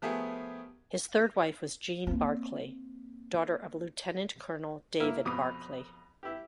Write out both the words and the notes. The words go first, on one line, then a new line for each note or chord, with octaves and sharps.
His third wife was Jean Barclay, daughter of Lieutenant-Colonel David Barclay.
F3 A3 B3 G4 G#4 A#4
A#3 C4
A#3 E4 A#4
F2 B2 D6 D#6
E4 G4